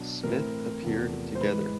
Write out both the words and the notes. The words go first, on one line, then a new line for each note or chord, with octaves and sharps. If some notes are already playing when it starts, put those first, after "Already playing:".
Smith appeared together.
Already playing: B2 F#3 D4
A2 E3 A3 C4 E4 A#4
E2 C3 F3 A3
C5
G#2 E3 G#3 B4